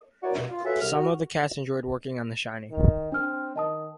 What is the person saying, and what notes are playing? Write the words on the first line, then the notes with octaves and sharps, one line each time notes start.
Some of the cast enjoyed working on "The Shining".
E4 F#4 A#4 C#5 D5
G2 B2
F4
F#4 G#4 A4 B4 C#5 E5
C2 F6
F#4
D#3
C4 D4 F6
D#3 D#5 A5 D#6